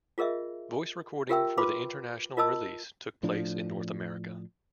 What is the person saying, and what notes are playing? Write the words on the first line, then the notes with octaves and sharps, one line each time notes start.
Voice recording for the international release took place in North America.
F4 G#4 A#4 D#5 E5
F4 G4 A#4 E5 G5 E6
F4 B4 B5 C6 D6
F4 A#4 D#5 A5 E6
A2 F3 D4